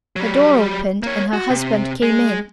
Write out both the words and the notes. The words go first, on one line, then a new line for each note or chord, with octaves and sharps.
The door opened and her husband came in.
F#3 G3
A#3 C#5
F#4
C3
G#3